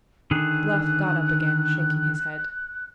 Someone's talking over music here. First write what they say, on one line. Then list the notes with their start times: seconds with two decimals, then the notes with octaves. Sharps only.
Bluff got up again, shaking his head.
0.31 D3 D#3 G#4 F#6